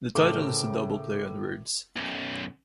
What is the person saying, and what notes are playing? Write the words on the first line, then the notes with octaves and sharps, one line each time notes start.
The title is a double play on words.
A2 C#3 A4 A#4 C5 D6 G7
B1 F#2